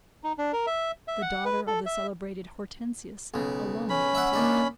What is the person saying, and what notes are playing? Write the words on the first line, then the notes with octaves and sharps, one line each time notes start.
The daughter of the celebrated Hortensius alone appeared.
D#4
D4
A#4
E5
E5
F#5
B4
A4
E5
B1 C#3
C#4 B5
E5 F#5
A#2 D4 D#4